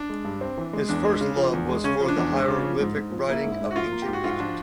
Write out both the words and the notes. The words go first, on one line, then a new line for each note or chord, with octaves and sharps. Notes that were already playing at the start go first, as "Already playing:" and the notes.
His first love was for the hieroglyphic writing of ancient Egypt.
Already playing: D4
G#3
G2
C4
E3
G#3
E2 D4
G#3
C#3
F3
E2
G#3
C#3 C#4
F3
D4
E2
G#3
C#3
F3
G#2
G#2
F3
A#3 E4
G#2
E4
G#2
F#4
F3 F4
A#3
G4
G#2
F#4
G#2 F4
F3 D4